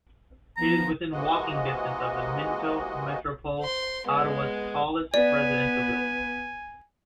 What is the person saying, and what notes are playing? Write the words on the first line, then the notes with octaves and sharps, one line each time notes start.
It is within walking distance of the Minto Metropole, Ottawa's tallest residential building.
F3 B3 A#5
C3 E3 G#3 A#3 F#4 D#5
C5 C6
G#3 B3
B3 B4 D5 G#5